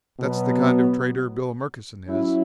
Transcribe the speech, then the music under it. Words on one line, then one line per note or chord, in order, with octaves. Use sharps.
That's the kind of trader Bill Murkison is.
B2 F#3 B3
F#3 C#4 E4